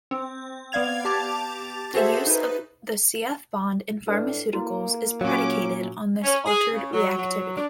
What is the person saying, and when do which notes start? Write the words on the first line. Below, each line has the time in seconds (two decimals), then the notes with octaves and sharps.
The use of the C-F bond in pharmaceuticals is predicated on this altered reactivity.
0.11 C4
0.72 B3 D5 F5 G#6 F7
1.05 G4 A5 D6 A6 F7
1.94 F#4 G#4 A4 C5 E5
2.26 D#4 B4
4.07 A2 A3 D4 A4 B4
4.53 A#3 E4 F#4
5.21 A#2 F#3 C#4 F5 D6
6.24 C#4
6.46 G#4
6.73 C#3
6.92 F#3
7.15 F#3
7.55 D4